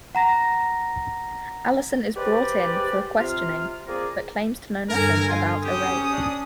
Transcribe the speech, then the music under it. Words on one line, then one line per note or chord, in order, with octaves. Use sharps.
Allison is brought in for questioning, but claims to know nothing about a rape.
F#5 A#5 A#6
G#3 G4 B4 C5 D5
C3 F4 F6
A#3 C4 F4 G#4 A#4 D5
G2 D3 A#4 G#5
F4
C#4 G4 D#6
D4